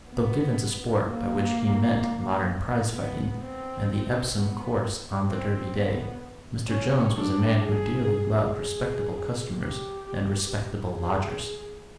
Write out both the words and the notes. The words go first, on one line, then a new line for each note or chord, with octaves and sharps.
But though given to sport, by which he meant modern prize-fighting and the Epsom course on the Derby day, Mr. Jones was a man who dearly loved respectable customers and respectable lodgers.
B3
A#3
B3
C4
B3
C4
B3
C#4
D4
G#4
G#4
G4
G#4